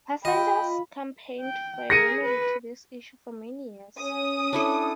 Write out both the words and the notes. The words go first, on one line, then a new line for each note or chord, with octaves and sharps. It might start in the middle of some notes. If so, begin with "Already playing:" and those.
Passengers campaigned for a remedy to this issue for many years.
F4 D#5 G5 B5
G5
G#4 A#4 A#6 C#7 D#7
B4
C#4 D#6
D4 E4 A4